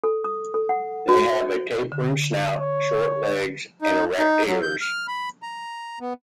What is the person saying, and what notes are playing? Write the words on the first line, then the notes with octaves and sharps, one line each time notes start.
They have a tapering snout, short legs, and erect ears.
A4
D#6
A4
F#5
F#4
C5
D3
C#5
D#4
D#4
F#3
G6
F6
B5
A#5
B3